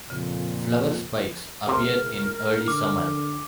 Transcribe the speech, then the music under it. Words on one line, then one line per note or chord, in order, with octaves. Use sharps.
Flower spikes appear in early summer.
F2 A#2 C#3
C#2 C3 A#4
D3 D6